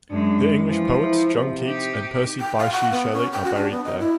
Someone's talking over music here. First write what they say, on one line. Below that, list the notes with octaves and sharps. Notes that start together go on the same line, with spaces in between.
The English poets John Keats and Percy Bysshe Shelley are buried there.
F#2 G#3 D4
E3 F3
E4
C3
D#4 G4
G5
F5
F#5
B3
C#4
G5
F#4
D4
B3
D#5
E4